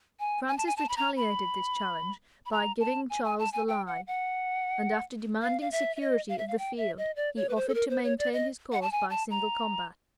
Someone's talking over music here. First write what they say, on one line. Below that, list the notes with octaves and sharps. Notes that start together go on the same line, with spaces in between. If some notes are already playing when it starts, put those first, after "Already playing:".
Francis retaliated this challenge, by giving Charles the lie; and, after demanding security of the field, he offered to maintain his cause by single combat.
G#5
G#5
A5
G#5
A5
B5
A#5
B5
B5
A#5
A5
G#5
G#5
A5
G#5
G5
F#5
F#5
F5
F5
E5
E5
D#5
F5
E5
F5
G5
E5
D#5
D5
C#5
B4
C5
A4
A#4
C5
C#5
D5
D#5
F#5
A5
G#5
A5
A#5